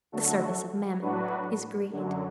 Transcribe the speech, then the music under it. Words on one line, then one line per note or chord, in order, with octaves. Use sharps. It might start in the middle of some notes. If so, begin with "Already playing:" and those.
The service of Mammon is greed.
D3 F#3 A3 F#4 A4
A2 F#3 D4 F#4 B4
F#2 D3 F#3